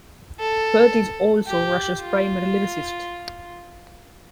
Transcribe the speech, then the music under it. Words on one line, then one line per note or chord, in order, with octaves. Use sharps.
Peart is also Rush's primary lyricist.
A4
G4
F4